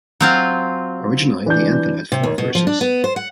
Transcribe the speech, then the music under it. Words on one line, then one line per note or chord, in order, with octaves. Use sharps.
Originally, the anthem had four verses.
F#3 C4 F4
E3 D4 G6
C3
D#2
B2
F3
D4
B3
C5
F#5